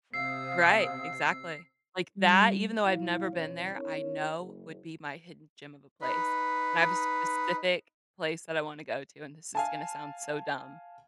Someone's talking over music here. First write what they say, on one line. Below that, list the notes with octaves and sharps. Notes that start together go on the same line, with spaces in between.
Right, exactly. Like that, even though I've never been there, I know would be my hidden gem of a place. And I have a specific place that I wanna go to, and this is gonna sound so dumb,
C3 F5 D#6 E6 C7
G3
A#2 F#3 E4 F5
E2 B2 C#4 C#5
C4 D4 E4 A#4 C#5
F#1
D#4 B4
F5 G#5 A5